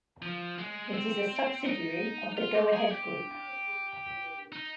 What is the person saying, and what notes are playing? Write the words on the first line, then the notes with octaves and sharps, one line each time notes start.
It is a subsidiary of the Go-Ahead Group.
F3
G#3
C4
D#4
F4
G4
G#4
G4
D#4